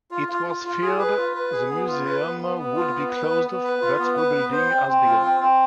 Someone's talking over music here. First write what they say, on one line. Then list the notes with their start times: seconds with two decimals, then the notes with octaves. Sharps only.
It was feared the museum would be closed but rebuilding has begun.
0.11 F4
0.29 F4
0.46 F4
0.65 F4
0.82 G#4
0.99 B4
1.17 F4
1.34 B4
1.52 G#4
1.70 B3
1.87 F4
2.05 B4
2.23 B3
2.40 B3
2.58 B3
2.76 F4
2.93 B3
3.11 B4
3.29 B3
3.46 B3
3.63 B4
3.81 F4
3.99 B3
4.17 B4
4.35 B3
4.52 C5
4.69 C4
4.87 C4
5.05 F4
5.23 C4
5.40 C4